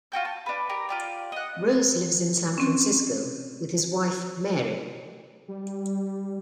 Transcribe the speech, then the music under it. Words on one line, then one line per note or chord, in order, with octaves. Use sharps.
Rose lives in San Francisco with his wife Mary.
F4 F#4 G5 G6
A5
D4 B4
G4 A#4
F4 G4 D5
D#5 F#5
C4 C#4
G3